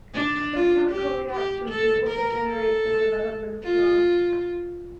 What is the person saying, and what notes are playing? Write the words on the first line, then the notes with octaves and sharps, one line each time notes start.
Some chemical reactions can also generate the development of glass.
D4
F4
G4
G4
A4
A#4
A4
F4